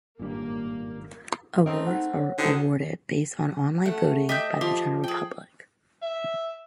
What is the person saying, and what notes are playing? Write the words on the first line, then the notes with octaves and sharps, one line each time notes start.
Awards are awarded based on online voting by the general public.
G#1 G2 A#2 G3 A#3 D4
A3 C4 C#4 A#4 D#5
D#4 F#5
C#5
D3 D#3 F#3 C5
A3 F#5
G4 D#5 E5 G6
F3 G4 C6
G#4 G5
E5